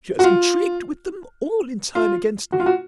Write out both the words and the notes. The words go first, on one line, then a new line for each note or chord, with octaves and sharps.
She has intrigued with them all in turn against me.
F#4
F4
F4
F#4
F4
F#4